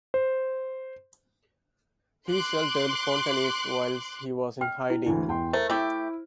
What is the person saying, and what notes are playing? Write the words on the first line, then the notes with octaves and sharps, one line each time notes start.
He sheltered Fontenis whilst he was in hiding.
C5
C6 D6 F#6
G5 F6
E4
D2 E3 E4
E2 G5 C6
A3 A#4 C5
A3 E4 G4